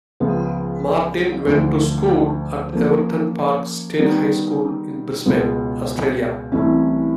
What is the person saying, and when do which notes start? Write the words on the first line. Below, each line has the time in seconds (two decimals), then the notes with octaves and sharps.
Martin went to school at Everton Park State High School in Brisbane, Australia.
0.20 C#2 C#3 F3 G#3 B3
1.47 D2 D3 F3
2.73 F3 A#3 C#4
3.99 D#3 G3 B3 D#4
5.26 C#2 B2 G#3 B3
6.52 C2 C3 E3 A3 C#4